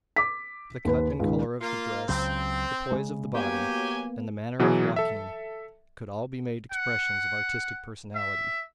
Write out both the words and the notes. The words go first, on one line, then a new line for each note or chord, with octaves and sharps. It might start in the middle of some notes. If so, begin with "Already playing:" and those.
The cut and color of the dress, the poise of the body, and the manner of walking could all be made expressions of artistic personality.
D6 B6
D#2 B4
C#2 D#3
A#3 F4
C#2 C#3 F#3 C4
C#3 G#3
F#3 A#3 B3 G4 G#5
B2 E3 F#3 G#4
A4 E5
F#5
E5